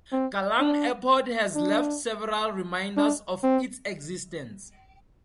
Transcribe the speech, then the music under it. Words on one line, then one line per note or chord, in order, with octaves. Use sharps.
Kallang Airport has left several reminders of its existence.
C4
D4
D4
D4
C4